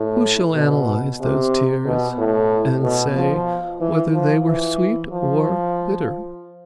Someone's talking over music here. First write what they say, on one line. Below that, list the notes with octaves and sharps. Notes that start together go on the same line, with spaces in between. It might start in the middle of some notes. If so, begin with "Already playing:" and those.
Who shall analyse those tears and say whether they were sweet or bitter?
Already playing: A2
B2
C3
B2
A2
B2
F3
E3
F3
E3
F3